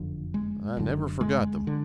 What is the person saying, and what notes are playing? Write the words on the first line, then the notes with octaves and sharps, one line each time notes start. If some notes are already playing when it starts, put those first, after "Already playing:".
I never forgot them.
Already playing: F#1 F2 D3
G#3
F#1 F#2 D3
G#3
D3